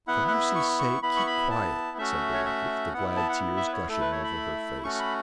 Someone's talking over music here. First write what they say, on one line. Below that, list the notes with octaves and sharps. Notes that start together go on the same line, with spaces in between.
"For mercy's sake, keep quiet," said the wife, the glad tears gushing over her face.
B3 E4 F#5
F#5
E5
C#6
C#6
B3 E4 B5
C#6
B5
A5
A3 C#4 F#4 E5
C#5
E5
B3 E4 F#5
A5
F#5
E5
B4
C#5
A3 E4 A4
B4
C#5
B5
A3 C#4 F#4 C#6
C#6
B5